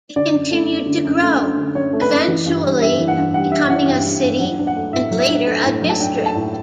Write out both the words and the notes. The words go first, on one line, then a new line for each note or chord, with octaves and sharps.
It continued to grow, eventually becoming a city and later a district.
D3 D5
F#2
A3
F#2
D3
F#2
A3
F#2
D3
F#2 C#5
A3
B4
F#2
E3
G2
G3
G2 E5
E3
F#5
G2
G3 F#5
G2 E5
E3 F#5
G2 G5
G3
G2
F#3 F#5
D4
F#5
A3
A2 E5
F#3
E5
D4
A3
A2
F#3
A5
D4 G5
A3
A5
A2